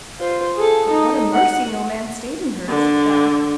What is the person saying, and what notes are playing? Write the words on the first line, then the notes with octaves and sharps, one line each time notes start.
'But what a mercy no man stayed in her,' said Bell.
F4 C5
G#4 A4
D#4
F#5
D3